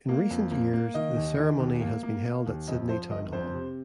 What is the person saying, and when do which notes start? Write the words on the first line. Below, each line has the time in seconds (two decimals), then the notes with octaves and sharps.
In recent years, the ceremony has been held at Sydney Town Hall.
0.08 A#3
0.30 F2
0.51 A#3
0.73 A#3
0.94 D#3 D#5
1.16 D#2
1.38 D#3
1.60 D#2
1.81 A#3
2.03 A#3
2.25 A#3
2.46 D#2
2.68 F2 D#5
2.89 F3 C5
3.11 G1 D#5
3.32 F2 C5
3.54 C3